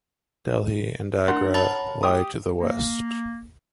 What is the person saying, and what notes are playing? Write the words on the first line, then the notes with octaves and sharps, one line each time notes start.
Delhi and Agra lie to the west.
D4 A#4 F#5 C6
C#5 A5 B5
G4 D#6
A#3